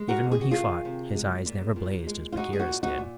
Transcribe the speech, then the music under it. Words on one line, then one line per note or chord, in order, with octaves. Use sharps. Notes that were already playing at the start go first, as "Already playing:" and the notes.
Even when he fought, his eyes never blazed as Bagheera's did.
Already playing: G#3
F#4 A#4
C3
G#4
F#4
D#3 F4 G#4
C3
G#3
A#2
A#2
G#3
F4
G#3 D#4 F#4
G#4
D#4 F#4
A#2
D#4 F#4
A#2